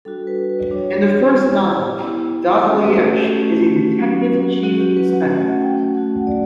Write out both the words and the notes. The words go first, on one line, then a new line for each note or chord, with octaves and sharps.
In the first novel, Dalgliesh is a Detective Chief Inspector.
G3 D4 F#4 A4
B4
B4
G3 D4 F#4 C#5
B3 E4 G4
B3 E4
A3 C#4 F#4 A4
B4
G4
A4
G4
A3 C#4 F#4
F#3 C#4 F#4
F#3 C#4 F#4
G4
B4
F#5
A3 C#4 F#4 F#5
G5
F#5
A3 C#4 F#4 F#5
D5